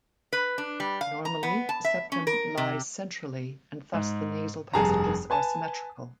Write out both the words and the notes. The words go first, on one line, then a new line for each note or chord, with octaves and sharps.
Normally, the septum lies centrally, and thus the nasal passages are symmetrical.
B4
D4
G3
F5
A#5
B3
A5
E5
C#4
A#4
C3
G#2
F1 G2 G#4 A5 A#5
B4 G#5 A5